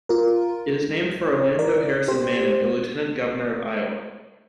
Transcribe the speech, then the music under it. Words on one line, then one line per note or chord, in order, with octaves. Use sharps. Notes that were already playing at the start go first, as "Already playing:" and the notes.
It is named for Orlando Harrison Manning, a Lieutenant Governor of Iowa.
F4 A#4
A#4 D5
G4 C5